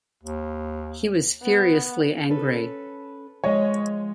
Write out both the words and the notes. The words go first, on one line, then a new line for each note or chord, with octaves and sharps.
He was furiously angry.
D#2
B3
C#4 A4 B4
F3 G#3 C#5 D#5